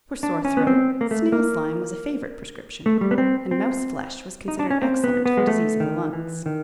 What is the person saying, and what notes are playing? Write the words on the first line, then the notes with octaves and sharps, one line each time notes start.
For sore throat, snail slime was a favorite prescription, and mouse flesh was considered excellent for disease of the lungs.
D4
C#4
B3
C4
A#3
A3
A#3
A3
G3
B3
C4
C4
D#4
D4
C#4
C4
B3
B3
G#3
A3
D#3
E3
D#3